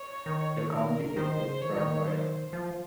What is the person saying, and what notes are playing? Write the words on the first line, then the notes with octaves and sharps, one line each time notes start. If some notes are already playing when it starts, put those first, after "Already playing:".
The county seat is Front Royal.
Already playing: C#5
D#3
A#4
D#3 C5
C#3
D#3 C#5
F3
D#3
C5
F3 F4